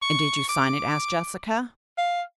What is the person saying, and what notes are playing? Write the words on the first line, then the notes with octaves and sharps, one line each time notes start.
"And did you sign it?" asked Jessica.
C#6
D6
F5